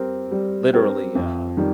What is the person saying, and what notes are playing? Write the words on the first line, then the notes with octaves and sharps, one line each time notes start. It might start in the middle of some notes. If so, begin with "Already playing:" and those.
um, literally, uh
Already playing: G3 C4 G4 A#4
G3
C4 G4 A#4
F2
D#3 G3